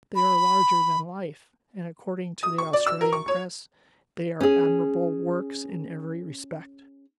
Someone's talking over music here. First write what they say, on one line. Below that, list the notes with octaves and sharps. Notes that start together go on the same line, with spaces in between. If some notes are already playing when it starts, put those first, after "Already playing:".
They are larger than life, and, according to the Australian press, they are admirable works in every respect.
B5
D#6
C#6
D5
E6
A#4
C#6
C#5
C#4 G#4